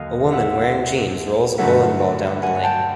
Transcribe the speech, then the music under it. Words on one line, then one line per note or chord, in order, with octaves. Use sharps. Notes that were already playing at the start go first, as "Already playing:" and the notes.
A woman, wearing jeans, rolls a bowling ball down the lane.
Already playing: D#2 D3 F#3 D#5 F5
E5 F#5
G2 D3 F#3 A3 E5 F#5
F#5 G#5
G5 A5